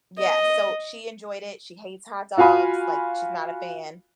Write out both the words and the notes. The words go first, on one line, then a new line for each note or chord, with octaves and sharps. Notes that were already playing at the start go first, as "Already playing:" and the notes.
Yeah, so, she enjoyed it, she hates hot dogs, like, she's not a fan,
D#5
F4 F#4 F5 G#5 B5